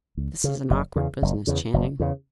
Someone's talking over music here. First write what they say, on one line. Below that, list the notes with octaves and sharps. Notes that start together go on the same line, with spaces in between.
"This is an awkward business, Channing."
C#2
C#3
F#1
E2 C#3
F#1
E2 C#3
F#1
E2 C#3